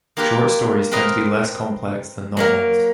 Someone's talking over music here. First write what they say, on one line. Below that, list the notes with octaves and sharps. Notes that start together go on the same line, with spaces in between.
Short stories tend to be less complex than novels.
A#3 F4 G4 A#4 B4
C4 A#4 B4 D#5 F5
F#3 A#3 A#4